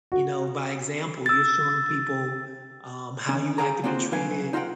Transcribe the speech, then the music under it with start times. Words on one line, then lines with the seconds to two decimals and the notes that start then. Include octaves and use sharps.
you know, by example, you're showing people, um, how you like to be treated,
0.12 F#4
1.26 E6 A6
3.29 D#3 C#4
3.58 G#4 F5 G5 G#5 A#5
3.84 A#3 C4 D#4 F4 F#4 C5
4.12 C2 F#3 B4 F5 G#5
4.53 D#4 F4 D#5 E5 F#5 G5